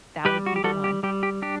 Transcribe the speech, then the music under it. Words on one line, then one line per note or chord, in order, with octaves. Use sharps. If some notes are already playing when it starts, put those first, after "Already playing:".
that would be the one.
G3 G4 B4
F#4
G4
G3 F#4 A4
G4
G3 G4
G4
D4 G4